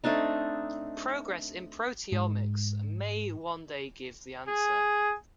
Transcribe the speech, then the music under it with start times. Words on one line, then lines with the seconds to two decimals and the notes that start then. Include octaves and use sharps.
Progress in proteomics may one day give the answer.
0.04 A3 C4 D4 D#4
2.12 G#2
4.48 G#4